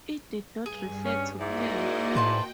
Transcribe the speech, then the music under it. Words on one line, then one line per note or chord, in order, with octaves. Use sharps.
It did not refer to par.
G2 G#4
C#4
G#2 A#3 E4 F#4 D5 D#5
A2 B4 C5 G5 A5